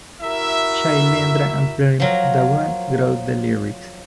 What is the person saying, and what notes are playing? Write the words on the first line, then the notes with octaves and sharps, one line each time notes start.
Shailendra and Prem Dhawan wrote the lyrics.
E4 F#4 A#4 E5
F3 F#3 A#4